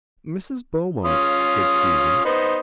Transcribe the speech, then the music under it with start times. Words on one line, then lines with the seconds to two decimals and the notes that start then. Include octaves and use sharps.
"Mrs. Beaumont," said Stephen.
1.05 C#4 F4 D#6
2.25 B3 D#4 C5